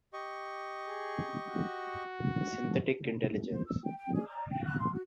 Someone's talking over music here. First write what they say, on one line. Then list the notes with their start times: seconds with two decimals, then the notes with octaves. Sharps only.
Synthetic Intelligence.
0.13 G4 D#5 C#6
0.88 G#4
1.45 F#4
3.50 C5
3.67 E6
3.83 G5
3.96 G5
4.14 G#4
4.28 A#5
4.50 G5
4.65 F#6
4.78 C6
4.93 F#4